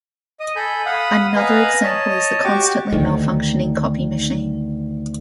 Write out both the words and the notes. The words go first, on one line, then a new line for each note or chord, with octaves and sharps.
Another example is the constantly malfunctioning copy machine.
D#5 D#6
A4 G#5 B5 G6
F5 F#5 B5 D#6
B4 D#5 F5 G#5 A#5 B5
C#5 D#5 A5
F#4 G4 C#6 D6
D2 D#3